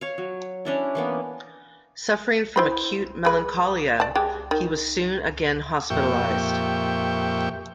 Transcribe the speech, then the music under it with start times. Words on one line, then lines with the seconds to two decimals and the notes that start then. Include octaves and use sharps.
Suffering from acute melancholia, he was soon again hospitalized.
0.01 C#5 F5
0.18 F#3
0.65 C#4 D4 E4
0.95 E3 A#3 B3
2.56 E4 C5 B5
3.25 G#3 B4
4.00 D5 A5
4.16 G#3 G4
4.51 D#3
5.90 F2 A#2 G4 E5 G5 C#6